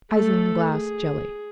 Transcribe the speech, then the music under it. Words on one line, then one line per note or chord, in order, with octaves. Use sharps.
Isinglass Jelly.
A3 A4
G#4